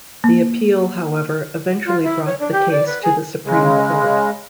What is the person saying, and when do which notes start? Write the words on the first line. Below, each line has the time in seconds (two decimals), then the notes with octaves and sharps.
The appeal, however, eventually brought the case to the Supreme Court.
0.24 A#3
1.86 F4
2.04 E4
2.26 C#5
2.40 D4
2.52 G4
2.71 D5
2.86 B4
3.03 G#4
3.46 C#3 G#3